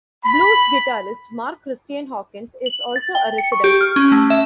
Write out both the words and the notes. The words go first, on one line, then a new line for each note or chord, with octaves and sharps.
Blues guitarist Mark Christian Hawkins is also a resident.
B5
F#7
A6
G5
C#7
C#6
G4
F6
C#4
A3
E5